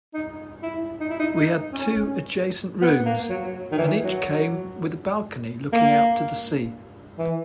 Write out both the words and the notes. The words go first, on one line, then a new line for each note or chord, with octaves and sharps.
We had two adjacent rooms, and each came with a balcony looking out to the sea.
D#4
E4
D#4
E4
D#4
D#4
C#4
B3
A#3
F#3
D#3
E3
F#3
A#3
E3